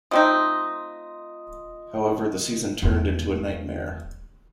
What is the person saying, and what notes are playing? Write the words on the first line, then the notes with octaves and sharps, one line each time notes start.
However, the season turned into a nightmare.
A3 C4 D#4 F4 D#5 D#6
E2 G#3